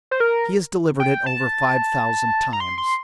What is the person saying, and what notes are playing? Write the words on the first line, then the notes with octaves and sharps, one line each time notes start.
He has delivered it over five thousand times.
C5
A#4
G5
A5
A#5
C6
C6